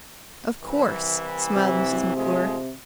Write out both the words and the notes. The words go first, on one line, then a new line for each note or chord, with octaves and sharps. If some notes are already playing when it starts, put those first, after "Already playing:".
"Of course," smiled Mrs. McClure.
C2 E3
C3
F3 G#3 A3